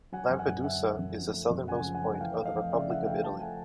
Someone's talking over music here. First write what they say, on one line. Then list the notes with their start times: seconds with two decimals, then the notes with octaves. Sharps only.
Lampedusa is the southernmost point of the Republic of Italy.
0.12 F#3 F#5 G#5
0.30 F#2
0.39 F#5 G#5
0.48 F#2
0.64 D3 E5 F#5
0.81 F#3
0.99 F#2
1.16 F3
1.34 A3
1.50 F#2
1.68 C#3 F#5 G#5
1.86 F3
1.95 F#5 G#5
2.02 A3
2.15 F#5
2.20 E3 F5 G5
2.37 A3
2.45 D#5 F5
2.54 F2
2.72 C#3 D5 E5
2.89 E3 E5 F#5
3.06 A3 F5 G5
3.24 F3 G5 A5
3.40 A3 F#5 G#5